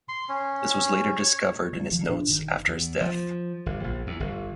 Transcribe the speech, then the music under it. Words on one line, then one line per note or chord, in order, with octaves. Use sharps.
This was later discovered in his notes after his death.
C6
C#4
C#5
D3 G3
E1 D#3 F3
A#2 D4
G1 D3 D#3
E2
F3
G1
A#1
E2
G1